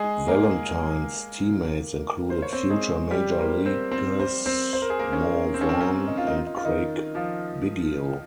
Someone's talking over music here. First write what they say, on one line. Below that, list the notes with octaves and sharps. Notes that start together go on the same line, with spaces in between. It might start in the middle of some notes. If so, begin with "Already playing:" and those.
Valentin's teammates included future major leaguers Mo Vaughn and Craig Biggio.
Already playing: G#3 G#4
A#3 A#4
C5
C#5
C4 C5
G#3 G#4
G3 G4
C5
A#3 A#4
C4 C5
C4 C5
C4 C5
C4 C5
C5
A#4
G#4
A#3 A#4
C#4
C4
C#4
C4
C#4
D#4
F4
D#4
F4
D#4
F4
D#3 D#4
F3 F4